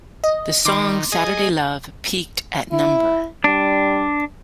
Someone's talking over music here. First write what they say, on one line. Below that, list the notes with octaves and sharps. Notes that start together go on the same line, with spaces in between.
The song "Saturday Love" peaked at No.
D#5
D#3 C6 D6
G#4 D#5
E4
G3 D4